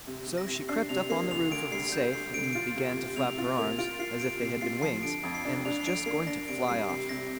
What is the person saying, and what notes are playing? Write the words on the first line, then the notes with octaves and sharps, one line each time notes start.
So she crept up on the roof of the safe and began to flap her arms, as if they had been wings, and was just going to fly off.
C3
C3
A#6
C3
D4 C7
C3 F7
A#3 C7
D2 F7
D2 D7
G3 C7
D3 G6
D2 C7
D3 D7
C7
F4 D7
C3
C3
C3 F7
F4
A#3 F7
F4 D7
F4 C7
C3 D7
C3 C7
F4 C7
F3 C7
D3 D7
F2
C7
D4
D4 F7
C7
D4 D7
A#3 C7
D4 A#6
C3 D7
G3 C7
C3 C7
C3 A#6